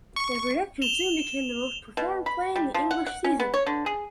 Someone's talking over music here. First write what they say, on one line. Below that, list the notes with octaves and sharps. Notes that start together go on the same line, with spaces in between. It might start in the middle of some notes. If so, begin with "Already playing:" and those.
The production soon became the most performed play in the English season.
C#6
E7 F7 G7
B2
B5
G3
F3
F#5
F#5
C#4
B3
C#5
D3
G#4